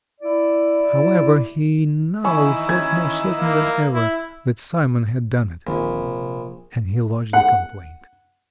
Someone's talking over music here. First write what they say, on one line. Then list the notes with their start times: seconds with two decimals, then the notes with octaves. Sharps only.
However' he now felt more certain than ever that Simon had done it, and he lodged a complaint.
0.21 E4 D5
2.24 D#3 E3 E4 G#5 C#6
2.69 C#4 G#6
3.40 A#3
3.94 E4
5.67 D1 A#1 D#3 C4
6.04 C3
7.33 F#5